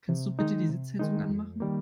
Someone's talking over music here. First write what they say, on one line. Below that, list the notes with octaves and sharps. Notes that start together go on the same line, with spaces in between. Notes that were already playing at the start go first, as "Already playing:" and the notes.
Kannst du bitte die Sitzheizung anmachen?
C3
D#3 G#3 D#4
C3
D#3 G#3 D#4
F2
D#3 G3 A#3